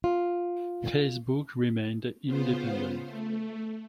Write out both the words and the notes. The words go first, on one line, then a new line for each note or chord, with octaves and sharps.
Facebook remained independent.
F4
C#3 B3 F4 C5
A3